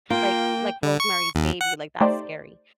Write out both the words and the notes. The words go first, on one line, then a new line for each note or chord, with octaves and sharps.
like like, Rosemary's Baby, like, that's scary,
A#3 F4 G5
D3
C#6
D#2
F#5
A3 D#4 G4 C5 D5